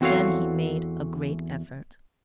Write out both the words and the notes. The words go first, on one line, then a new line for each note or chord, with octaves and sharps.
Then he made a great effort.
E2 C4 F#4 A4 C#5 F5